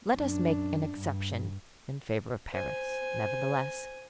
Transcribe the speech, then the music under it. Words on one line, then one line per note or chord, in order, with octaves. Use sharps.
Let us make an exception in favor of Paris, nevertheless.
F#2 D4
G2
C5 G#5